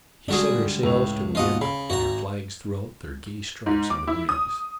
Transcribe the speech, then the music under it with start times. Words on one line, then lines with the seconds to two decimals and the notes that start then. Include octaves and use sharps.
She set her sails to the wind, and her flags threw out their gay stripes in the breeze.
0.29 D3 G3 G#3 D4 F#4 G#4
0.83 C#2 A2 F7
1.35 D#2 B2 F4 D#5 F#5
1.61 C#3 B5
1.90 G#1 F#4 A#5
3.66 G#2
3.90 D6
4.07 E4
4.29 D#6